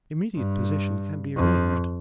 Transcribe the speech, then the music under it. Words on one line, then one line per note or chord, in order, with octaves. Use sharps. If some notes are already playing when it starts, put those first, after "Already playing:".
Immediate possession can be arranged.
G2
F2